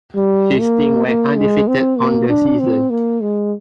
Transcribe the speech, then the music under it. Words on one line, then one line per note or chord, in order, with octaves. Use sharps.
His team went undefeated on the season.
G3
A#3
A#3
G#3
C4
A#3
D4
C4
A#3
G#3